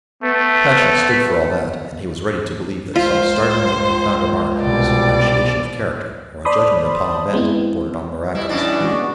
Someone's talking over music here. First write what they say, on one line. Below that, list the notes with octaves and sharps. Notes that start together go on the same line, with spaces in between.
Passion stood for all that, and he was ready to believe that some startlingly profound remark, some appreciation of character, or a judgment upon an event, bordered on the miraculous.
A3 B3
C#2 F4 C5
C2 B2 D5
C5 D5 A5 B5 C6 D#6
G#3 B3 C4 E4
B2 G3 E4
E2 B2 C#4 D4 E4
E3 G#3 F#4
B3